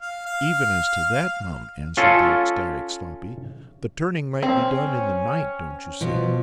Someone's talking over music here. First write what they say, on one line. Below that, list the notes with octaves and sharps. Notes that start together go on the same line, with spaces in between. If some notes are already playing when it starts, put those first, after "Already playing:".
'Even as to that, mum,' answered the ecstatic Sloppy, 'the turning might be done in the night, don't you see?
F5
F5
C#4 F4 A4
C4 C#4
B2 F3